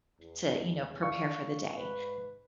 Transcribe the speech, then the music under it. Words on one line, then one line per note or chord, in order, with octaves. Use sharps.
to, you know, prepare for the day,
E2
D5 F5 C#6
G#2 B4